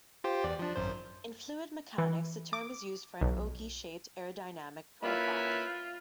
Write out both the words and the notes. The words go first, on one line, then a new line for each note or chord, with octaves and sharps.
In fluid mechanics, the term is used for an ogee-shaped aerodynamic profile.
F4 G4 C5
E2 D5
F3 D4
G#1 F#2 C5
E3
D6
B1
A#3 C#4 E4 F4 B4